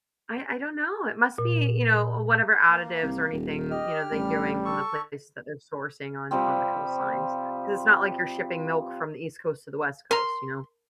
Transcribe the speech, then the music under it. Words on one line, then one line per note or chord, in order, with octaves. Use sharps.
I I don't know, it must be, you know, whatever additives or anything, you know, they doing from the place that they're sourcing on on the coastlines, 'cause it's not like you're shipping milk from the East Coast to the West Coast, you know.
A#2
A#3
C2
D#1
G4 D#5 F6
A1 G3
A4 C#6
C3 F3 G3 C4
A#4 A#5 C6